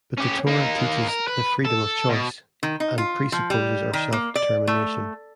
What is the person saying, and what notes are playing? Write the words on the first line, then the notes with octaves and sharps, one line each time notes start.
But the Torah teaches the freedom of choice and presupposes our self-determination.
C#4 G4
A#3 D#4
A#4
B4
A4
B2
D#3
D#4
F4
F3
G3
D#3
A#3
D5
A3